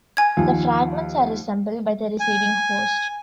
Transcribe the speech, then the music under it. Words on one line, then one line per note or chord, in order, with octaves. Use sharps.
The fragments are reassembled by the receiving host.
G#5 G#6
D#2 F3
G#5